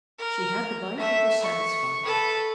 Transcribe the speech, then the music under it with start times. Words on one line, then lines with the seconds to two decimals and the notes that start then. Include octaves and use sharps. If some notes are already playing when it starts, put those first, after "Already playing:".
She had the bite and was satisfied.
0.19 A#4
0.97 A3 E5
1.42 C#6
2.05 A4 B4